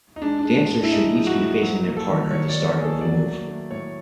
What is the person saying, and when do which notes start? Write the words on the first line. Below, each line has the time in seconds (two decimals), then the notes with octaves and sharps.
Dancers should each be facing their partner at the start of the move.
0.16 D#4
0.22 G#3 D4
0.39 D4
0.45 G#3
0.68 A2
0.84 E4
0.91 G#3 D#4
1.15 F3
1.27 F#4
1.38 A2
1.62 F#3
1.85 A#3
1.97 A4
2.08 D#3
2.31 D#3 C#5
2.49 D5
2.54 A#3
2.66 C#5
2.77 A#3 G#4
2.84 A4
3.01 F#3 D5
3.24 A3
3.47 A3
3.71 A2 C#5